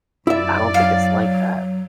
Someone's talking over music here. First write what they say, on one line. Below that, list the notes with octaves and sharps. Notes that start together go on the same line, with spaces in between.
eh, I don't think it's like that.
F#2 E4 D5 E5
F#3 F5